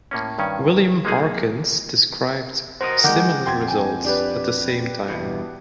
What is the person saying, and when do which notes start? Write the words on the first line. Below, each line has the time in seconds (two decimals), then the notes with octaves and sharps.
William Harkins described similar results at the same time.
0.11 A2 A#3 C#4
0.39 G2 D#3 C#4
1.05 G#3 A#3 D#4 G#4
2.81 F#4 A#4 C5 D#5
3.04 D#3 G#3 F#5 D6 G6
3.46 F2 G5 C6 G#6
3.68 G5 G#5
4.04 D4 G4 B4
5.09 E2 G2 B2